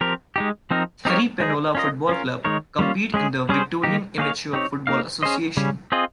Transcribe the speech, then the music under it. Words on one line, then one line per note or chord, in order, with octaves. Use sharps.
Therry Penola Football Club compete in the Victorian Amateur Football Association.
F3 C4 G4 A#4
G#3 D#4 G4
F3 C4 D#4 A#4
C4 D#4 G4 A#4 C#5
G#3 D#4 G#4
C#4 F4 A#4 D#5
C#4 F4 A#4
D#3 G#3 D#4 A#4 C#5
G3 A#3 C#4 F4
G#3 C#4 G#4
G3 C#4 G#4 C5
D#3 A#3 D#4 G4
A#3 D#4 G#4 C#5 F5
C4 D#4 G4 C#5
A#3 D#4 A#4 F5
C#4 G#4 C5 D#5
C#3 G3 C#4
C4 F4 G#4 D#5